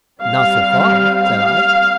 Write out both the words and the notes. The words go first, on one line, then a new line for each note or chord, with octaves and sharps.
"Not so far," said I.
G3 C4 F5
F5